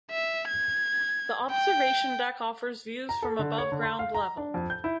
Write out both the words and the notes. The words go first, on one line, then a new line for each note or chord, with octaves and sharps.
The observation deck offers views from above ground level.
E5
G#6
G5
A#5
A4
D3
C#5
D3
C6
F5
A#5
D4
F2
G6
E4